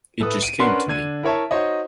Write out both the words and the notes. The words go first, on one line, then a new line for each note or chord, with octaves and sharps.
It just came to me.
A2 A4 B4 D#6
D7 D#7
C#4 D4 A#4 B4 F#5 C6
D3 D4 G#6 D#7
E4 A#4 C#5 E5 A5
D#4 F#4 C5 C#5 D#5